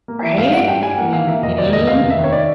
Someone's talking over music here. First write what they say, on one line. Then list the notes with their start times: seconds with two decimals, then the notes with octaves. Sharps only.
Right? Mhm.
0.08 A#3
0.22 E3 E5
0.37 G2 F5
0.52 G3 F#5
0.68 G2 G5
0.83 G3 G#5
0.98 A#3 F#5
1.13 E3 F5
1.28 A#3 E5
1.42 F1 D#5
1.58 D#2 D5
1.73 F1 D#5
1.87 D#2 F5
2.03 F1
2.10 E5
2.18 D#3
2.24 C#5
2.32 D5